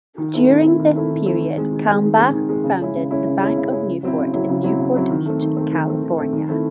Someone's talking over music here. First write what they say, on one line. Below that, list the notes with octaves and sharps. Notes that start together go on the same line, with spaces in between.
During this period Kalmbach founded the Bank of Newport, in Newport Beach, California.
D#3
A3 C4 E4
D#3
A3 C4 E4
D#3
A3 C4 E4
D#3
A3 C4 E4
D#3
G#3 C4
D#3
G#3 C4
D#3
G#3 C4
D#3
G#3 C4
C#3
G#3 C#4 E4
C#3
G#3 C#4 E4
C#3
G#3 C#4 E4
C#3
G#3 C#4 E4
C#3
F#3 C4 E4
C#3
F#3 C4 E4
C#3
F#3 C4 E4
C#3
F#3 C4 E4
D#3
A3 C4
D#3
A3 C4
D#3
A3 C4
D#3
A3 C4
D#3
A3 C4 E4